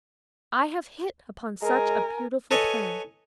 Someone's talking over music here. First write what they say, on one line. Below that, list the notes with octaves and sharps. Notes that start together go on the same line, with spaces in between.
'I have hit upon such a beautiful plan.
G#3 A#4 G#5
A4 B4 C#5 D#5 G#5